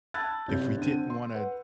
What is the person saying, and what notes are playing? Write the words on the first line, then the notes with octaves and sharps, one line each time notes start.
if we didn't wanna
A5 B5 E6 F#6 G#6 A6
F#1 C3 C4 G6
D3 C4 D#7
C6
B4 F#5